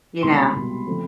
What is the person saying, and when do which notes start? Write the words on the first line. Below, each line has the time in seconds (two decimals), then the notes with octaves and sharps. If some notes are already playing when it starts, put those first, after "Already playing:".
you know?
0.23 C2 B2 G#3 C6
0.39 B5
0.54 C2 B2 G#3
0.87 C#3 F3 A3 C4